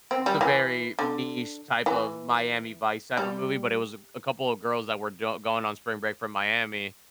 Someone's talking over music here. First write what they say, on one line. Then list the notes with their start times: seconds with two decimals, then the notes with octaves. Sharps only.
it was a very niche type of Miami Vice type of movie, but it was a a couple of girls that were don going on spring break from Miami,
0.11 C4
0.26 G3
0.41 E3
0.99 D3
1.86 E3
3.17 G3